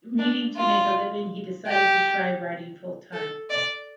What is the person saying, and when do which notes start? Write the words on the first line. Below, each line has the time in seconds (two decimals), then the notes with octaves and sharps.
Needing to make a living, he decided to try writing full-time.
0.19 D4
0.56 F4
1.66 G4
3.13 A4
3.50 D5